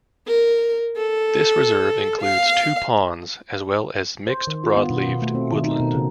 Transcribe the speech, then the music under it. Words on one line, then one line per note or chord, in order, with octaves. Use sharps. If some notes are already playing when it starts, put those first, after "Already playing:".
This reserve includes two ponds, as well as mixed broadleaved woodland.
A#4
A4
F5
C5
D#3
F4
B3
B2
B2
A3
C4
D#3
D#4
B2
C#3